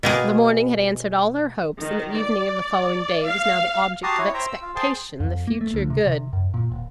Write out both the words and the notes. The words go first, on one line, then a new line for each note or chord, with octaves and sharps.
The morning had answered all her hopes, and the evening of the following day was now the object of expectation, the future good.
B2 A#3 G#4
D#3
D5
F5
F#4 G4 A5 A#5 C6 D#6
E4 C#5
C5 E5 G5 A#5
E6
F4
G#4 C5 G5 A5 C6
F2
A#3
A3
D2
C3
C3
F#2
A#2
D#1